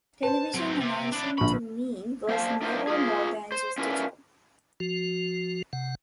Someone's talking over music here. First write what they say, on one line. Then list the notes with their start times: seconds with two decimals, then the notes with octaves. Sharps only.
Television announcing to me was never more than just a job.
0.23 B4 C5 A5
0.54 F#3 C4
0.81 C3
1.12 D4 E4
1.38 A#1 D3 B5 C#6
2.29 A#3 C5 F5 A5
2.62 D4 E4 F4 A#4 C5 D#5
2.87 F4 G#4
3.52 C5
3.78 C#4 D4 E4 F4 A#4 B4
4.80 F3 F#4
5.73 C3 F#5